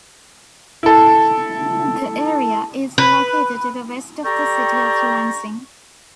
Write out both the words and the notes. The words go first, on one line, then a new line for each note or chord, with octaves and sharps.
The area is located to the west of the city of Lansing.
E4 A4
B4
G4 A4 D5 G5 A#5 C#6